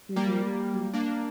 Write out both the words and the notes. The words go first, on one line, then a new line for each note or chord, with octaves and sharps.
Mhm, mhm.
G3 A#3
A#3 D4